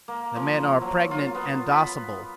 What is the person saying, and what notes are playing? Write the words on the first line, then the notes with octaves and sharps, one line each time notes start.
The Men are pregnant and docible.
A#3
F3
F#3
F4
B3
B5